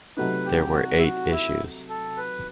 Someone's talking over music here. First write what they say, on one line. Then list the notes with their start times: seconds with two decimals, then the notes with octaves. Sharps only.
There were eight issues.
0.17 C3 F#3 A3 D#4 B4
0.45 G4
0.74 F#4
0.97 E4
1.03 F#4
1.32 E4
1.89 A4
2.17 B4